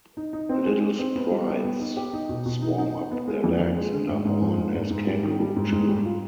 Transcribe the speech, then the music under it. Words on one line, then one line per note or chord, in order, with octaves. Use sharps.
Little sprites swarm up their legs and are born as kangaroo children.
D#4
D#4
C4
G#3
G4
C4
B3
G3
G4
B3
D#4
G4
D#4
B2
B2
D#4
D#4
D#4
B3
G#3
F2
F2
G#3
D3
G#2
G#2
F3
G#2
G#2
G#2
G3
D#3
G3
G#2
G#2
G3
F4